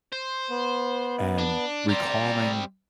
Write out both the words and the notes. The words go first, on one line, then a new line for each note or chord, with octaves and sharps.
and recalling
C5
B3
D4
G3 C4 D5 A#5